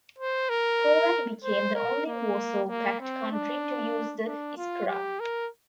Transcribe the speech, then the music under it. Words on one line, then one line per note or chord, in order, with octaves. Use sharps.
Poland became the only Warsaw pact country to use the Iskra.
C5
A#4
C5
A#4
A#3
A#3
C4
D4
D4
F4
G4
A#4